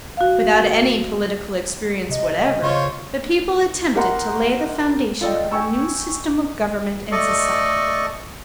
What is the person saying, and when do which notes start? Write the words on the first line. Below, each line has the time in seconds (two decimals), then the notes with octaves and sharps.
Without any political experience whatever, the people attempted to lay the foundation of a new system of government and society.
0.17 F#4 F5
2.09 C3 D#5
2.63 C#3 F4 C5 C#5
3.94 E4 G4 A#4 F#5 A#5 C6
5.21 F4 A4 D5 D#5 G5
5.51 G5 G#5 C#6 E6
7.12 A3 A4 D5 D#5 C#6